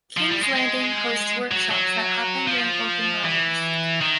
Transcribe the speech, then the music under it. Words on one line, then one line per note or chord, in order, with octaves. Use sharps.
Kings Landing hosts workshops that happen during open hours.
F3
G3
G#3
G#3
F#3
F#3
F3
E3
D#3